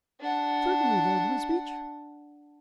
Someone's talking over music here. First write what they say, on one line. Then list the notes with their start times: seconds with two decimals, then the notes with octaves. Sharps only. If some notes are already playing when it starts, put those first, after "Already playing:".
"Certainly, Lord Wisbeach."
0.20 D4 F#5